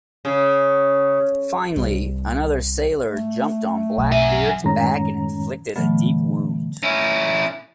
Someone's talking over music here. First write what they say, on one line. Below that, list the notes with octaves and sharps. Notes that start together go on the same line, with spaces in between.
Finally, another sailor jumped on Blackbeard's back and inflicted a deep wound.
C#3
C2
A3
B1
F#3 E5 G#5
F#2 A2 D#3 G#3 C#4 A#5
A#2 D3 E3 F#3 A3 B3
C#4 E4